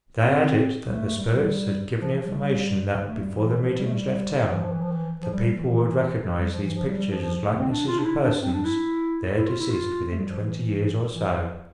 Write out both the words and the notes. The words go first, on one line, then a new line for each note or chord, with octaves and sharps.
They added, that the spirits had given information that, before the mediums left town, the people would recognize these pictures as likenesses of persons there deceased within twenty years or so.
C4
G3
A3
A3
G3
A3
G3
F3
F3
G3
G3
A3
G3
F3
E3
F3
G3
A3
G3
E3
F3
E3
F3
E3
F3
G3
G3
E3
F3
E3
F3
G3
F3
E3
F3
G3
G3
F3
F3
F3
A3
C4
D4
F4
D4
E4
D4
D4
C4
D4
E4
E4
F4
E4
F4
A3
G3
F3
E3
E3
F3
F3